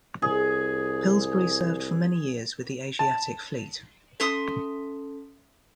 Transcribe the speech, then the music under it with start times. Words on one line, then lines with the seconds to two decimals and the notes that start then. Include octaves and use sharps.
"Pillsbury" served for many years with the Asiatic Fleet.
0.22 C2 G#4
2.99 A5
4.20 C#4 A4 E5 C6 D#6